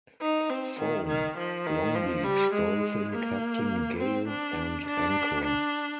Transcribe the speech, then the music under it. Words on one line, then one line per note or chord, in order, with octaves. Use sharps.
'Foam', 'Longbeach', 'Dolphin', 'Captain', 'Gale' and 'Anchor'.
D#4
C4
D#3
D#3
F3
D#3
F3
G3
G#3
A#3
C4
D4
D4
D4